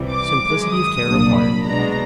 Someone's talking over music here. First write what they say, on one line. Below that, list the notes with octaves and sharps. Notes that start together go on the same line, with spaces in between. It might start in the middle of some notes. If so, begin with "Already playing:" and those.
Simplicity of care required.
Already playing: C2 C3 E3 G3
D6
F#2 D#3 G#3
D#6
C2 A#2 F#3 A#3 D4
B5
B2 G#3 B3 D4 A#5